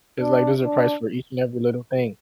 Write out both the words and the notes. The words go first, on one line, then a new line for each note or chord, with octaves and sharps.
It's like there's a price for each and every little thing.
D4
D4